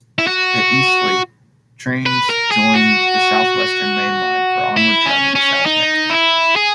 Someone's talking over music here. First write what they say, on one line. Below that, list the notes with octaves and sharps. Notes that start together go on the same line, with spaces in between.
At Eastleigh, trains join the South Western Main Line for onward travel to Southampton.
E4
F#4
B4
A#4
G#4
F#4
E4
C#4
C#4
D#4
E4
G#4